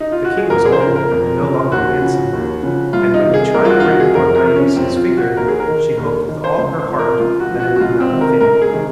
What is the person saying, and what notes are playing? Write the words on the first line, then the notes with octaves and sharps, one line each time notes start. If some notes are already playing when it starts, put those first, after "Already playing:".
The king was old and no longer handsome, and when he tried the ring upon Dionysia's finger she hoped with all her heart that it would not fit.
D#4
F4
F#4
G#4
F2 A#4
G#4
C5
C#3 F3 A#4
A#4
F2
C#3 F3
D#2 F#4
C#3 F3
D#2
C#3 F3
C2 F4
D#4
C3 D#3
G#4
C2 A#4
F4
F#4
F4
C3 D#3 F#4
G#4
F2 A#4
A#4
C3 F3
C#4
F2 C4
F4
C3 F3
F#4
D#2 A#4
G#4
A#4
D#3
D#2 A#4
D#3
C5
C#2 C5
C5
C3 F3
A#4
C#2 F4
F#4
C3 F3
F#4
F#4
C#2 F4
C4
C3 D#3
A#4
C#2 A#4
G#4
C3 D#3